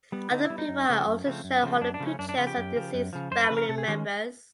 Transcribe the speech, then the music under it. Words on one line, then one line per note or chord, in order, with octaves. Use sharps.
Other people are also shown holding pictures of deceased family members.
G3 B3
D3 D#4
E4
G3 B3
D#4
F#2
C#3 F3 A3 C4
F#2
C#3 F3 A3 C4
F#2
C#3 F3 A3 C4
F#2 D4
D4
C#3 F3 A3 C4
C#4
F#2 D4
D4
C#3 F3 F4
G4
F#2
C#3 F3
F#2
C#3 F3
F#2 C5
B4
C#3 F3
A#4
C3 A4
G#4
D#3 G#3 C#4 G4